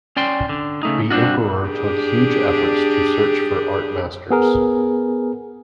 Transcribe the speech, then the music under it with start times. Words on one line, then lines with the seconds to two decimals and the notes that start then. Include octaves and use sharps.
The emperor took huge efforts to search for art masters.
0.17 C#4 D5 G5 C6
0.49 D3
0.83 C#3 A3 D#4
1.10 G2 C4 D4 F4 F#4
1.69 D4 G4 G#4
4.30 B3 G#4 A#4